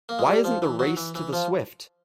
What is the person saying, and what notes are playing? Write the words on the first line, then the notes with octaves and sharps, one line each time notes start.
Why isn't the race to the swift?
A#3
G#3
G3
F3
E3
F#3
E3
E3
F3